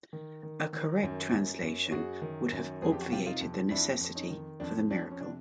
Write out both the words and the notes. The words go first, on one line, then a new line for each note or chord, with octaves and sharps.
A correct translation would have obviated the necessity for the miracle.
D#3
D#3
D#3
F#2
F#2
F#2
F#2 F#4 G#4
D#3
F#2
F2 G#4
G4
F#4
C3 F4 G4
D#4 F4
F2
F2 D4 E4
F2
C#4 D#4
D#3
F2 D4
F2 D4
C#4
C3 D4